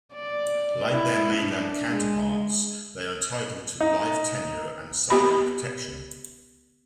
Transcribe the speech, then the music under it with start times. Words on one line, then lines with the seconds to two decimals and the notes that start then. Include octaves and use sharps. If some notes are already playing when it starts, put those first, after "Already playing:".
Like their mainland counterparts, they are entitled to life tenure and salary protection.
0.13 D5
0.90 E4
1.36 D4
1.92 G#3
3.81 D#4
5.10 B3 G4 B5